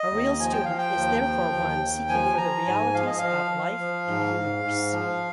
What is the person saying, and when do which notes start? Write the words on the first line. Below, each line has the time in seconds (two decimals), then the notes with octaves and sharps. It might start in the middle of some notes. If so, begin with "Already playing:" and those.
A real student is therefore one seeking for the realities about life and universe.
Already playing: D#5
0.11 D#2
0.39 F3 G#5
0.52 G5
0.65 F3 F5
0.78 G5
0.96 D#2
1.25 F3
1.53 D#2
1.81 D#2
2.09 F3 G#5
2.37 F3 A#5
2.66 G#2 G#5
2.94 F3 F5
3.06 D#5
3.19 F3 F5
3.51 F3
3.79 F3
4.07 G#2
4.36 G#2
4.64 G#2
4.92 F3